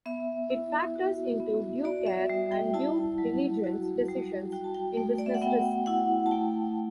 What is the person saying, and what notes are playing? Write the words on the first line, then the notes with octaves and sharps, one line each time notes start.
It factors into due care and due diligence decisions in business risk.
B3 E5
E4
F#4
B3
F#4 D5
E5
G3
G5
E4 A5
F#3
F#4
G3
F#4 G5
A5
G5
A3
D5
E5
F#5
B3 G5
E4 F#5
A5
A3 G5